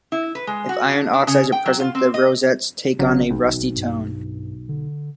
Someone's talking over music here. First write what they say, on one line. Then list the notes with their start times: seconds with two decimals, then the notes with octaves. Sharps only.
If iron oxides are present, the rosettes take on a rusty tone.
0.12 E4
0.35 B4
0.47 G#3
0.69 F#4
0.92 D4
1.13 D4
1.27 C#3
1.52 G5
1.66 F#3
1.80 F4
1.95 C4
2.14 D#5
2.99 A1 C#3 F#3
3.31 B1
3.76 G2
4.69 D3